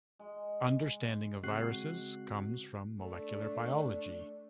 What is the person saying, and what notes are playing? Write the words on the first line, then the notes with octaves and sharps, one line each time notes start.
Understanding of viruses comes from molecular biology.
G#3
C#3 G#3 C4 F#4 F#6 C7
A3 D4